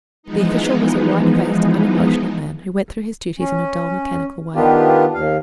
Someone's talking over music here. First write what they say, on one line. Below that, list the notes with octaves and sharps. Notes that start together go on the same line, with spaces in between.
The official was a white-faced unemotional man, who went through his duties in a dull mechanical way.
E3 F3 G#3 B3 D#4
C#4
D#3 B3 D4 F4 G4
D#2 F5